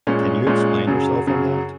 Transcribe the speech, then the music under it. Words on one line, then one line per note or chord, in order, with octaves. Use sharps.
Can you explain yourself on that?
A#2 G#3 C#4
A#2 G#3 C#4
F#2 C#3 F#3
F#2 C#3 F#3